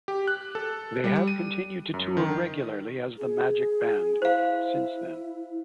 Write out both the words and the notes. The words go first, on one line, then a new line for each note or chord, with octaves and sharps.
They have continued to tour regularly as the Magic Band since then.
G4
F#6
A4
G3
D#7
F#2
D#3
G#4
E4 C5 F5